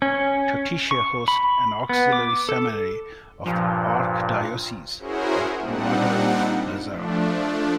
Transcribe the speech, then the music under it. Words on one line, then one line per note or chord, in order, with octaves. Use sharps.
Totatiche hosts an auxiliary seminary of the Archdiocese of Guadalajara.
C#4
C#6
B5
B3
D6
A4
G2 A#2 F3
C#4 E4 F#4 G#4 A#4 C5
A#2 G3 C4 D4 D#4 F#5
F3 A3 D4